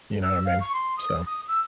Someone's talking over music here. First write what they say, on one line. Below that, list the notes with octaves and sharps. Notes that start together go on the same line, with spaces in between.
You know what I mean? So
E6
F5
C#6
C6
D#6
D#6
E6